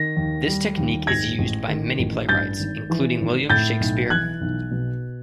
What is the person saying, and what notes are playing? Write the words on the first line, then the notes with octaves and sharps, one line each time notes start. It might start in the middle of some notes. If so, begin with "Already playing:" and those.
This technique is used by many playwrights, including William Shakespeare.
Already playing: D#3 A#6
D#2
G3
D#2
G#2 G#6 A#6
A1
D#3
A1
G2 G6 A6
G#1
E3
G#1
A2 G6 A6
B1
E3 F#6 G#6
B1
B2